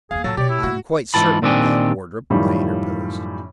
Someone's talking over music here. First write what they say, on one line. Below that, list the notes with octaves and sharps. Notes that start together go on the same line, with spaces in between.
"I am quite certain of that, Wardrop," I interposed.
E2 A#3 G#4 F5
A#2 F#3 F#4 A4 A5
B2 G4 C#5 D5
E4
G#2 A3 F#4
G#2 E3 F4 A5 B5
A#2 D#3 C4 D4 G4 G#5
F#2 A2 D#3 F3 G3